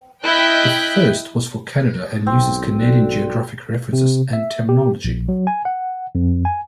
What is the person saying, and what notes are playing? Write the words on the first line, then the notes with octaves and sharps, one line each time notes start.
The first was for Canada and uses Canadian geographic references and terminology.
E4 D#5 G5 F#6 G6 B6
B1 C4
F#4 A4 D5
C3
E5
G4
A#1
F#3
G#5
F#5
F2
G#5